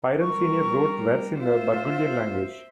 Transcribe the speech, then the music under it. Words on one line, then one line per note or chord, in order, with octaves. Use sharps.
Piron senior wrote verse in the Burgundian language.
G3 A#4 C#6
F4 C5 E5